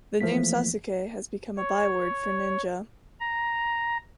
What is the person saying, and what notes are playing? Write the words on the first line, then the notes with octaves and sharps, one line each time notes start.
The name Sasuke has become a byword for ninja.
E3 F3 A3 A#3 B6
C#5
A#5